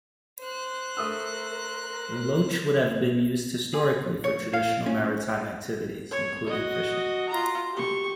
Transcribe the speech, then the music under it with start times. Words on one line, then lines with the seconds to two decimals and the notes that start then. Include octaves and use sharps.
The loch would have been used historically for traditional maritime activities including fishing.
0.40 C5 F#6
0.97 A3 A#4 D#6 E6
3.74 G#4
4.24 C#5
4.53 F5
4.86 C#4
6.11 C#5
6.46 F#4 D#5
7.29 F4 A#5
7.72 G4 C#6